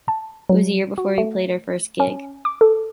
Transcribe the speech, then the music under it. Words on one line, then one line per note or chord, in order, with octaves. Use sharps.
It was a year before we played our first gig.
A5
F#3
F#4
A3
C#4
D6
A4